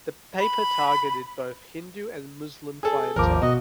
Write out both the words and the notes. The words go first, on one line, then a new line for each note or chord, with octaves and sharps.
The paper targeted both Hindu and Muslim clientele.
B5
G#4 A4
G#1 D#2 F3 A#4 D6
B2 F#4 D#5